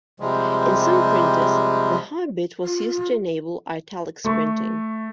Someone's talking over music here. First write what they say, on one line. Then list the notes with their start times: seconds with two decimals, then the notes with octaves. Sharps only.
In some printers, the high bit was used to enable Italics printing.
0.20 C3 F3 G3 G#3
2.64 F4
4.24 A3 C#6